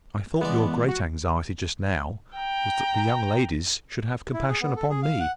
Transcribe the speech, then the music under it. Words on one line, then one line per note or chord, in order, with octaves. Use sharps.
"I thought your great anxiety just now was that the young ladies should have compassion upon me."
E3 G#3 B3 D5
F#4
G5 A#5
E4
G#4
B3
A4
G#4
F5
F#5